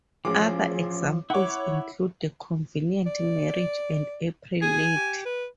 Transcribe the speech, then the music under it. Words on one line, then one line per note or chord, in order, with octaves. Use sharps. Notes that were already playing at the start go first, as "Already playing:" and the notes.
Other examples include "The Convenient Marriage" and "April Lady".
A1 F3 G#4 D6
E4 C#5 F#5 D6
D5
G#4 G#5
G4
B4